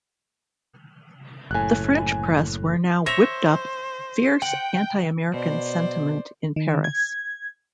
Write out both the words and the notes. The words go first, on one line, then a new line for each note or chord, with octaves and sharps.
The French press were now whipped up fierce anti-American sentiment in Paris.
F#1 A2 G#5 F#6
C5 C#5 E5 A#6 F7
F#5 G5
B2 C5 D5
D#3
G#6